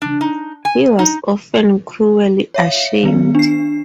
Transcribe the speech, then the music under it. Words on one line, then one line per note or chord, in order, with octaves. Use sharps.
He was often cruelly ashamed.
D4
D#4
G#5
D#4
C#5 E5 F5
D#3 B3
D4 C7